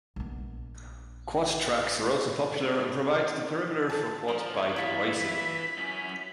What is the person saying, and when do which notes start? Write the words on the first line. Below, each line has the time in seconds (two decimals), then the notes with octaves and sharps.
Quad tracks are also popular and provide the perimeter for Quad bike racing.
0.16 A#1 B3
3.90 A5
4.28 F3 A#4
4.54 C3 C#5
4.76 E4 F4 B6
5.02 B4 E5
5.77 F#2 C#4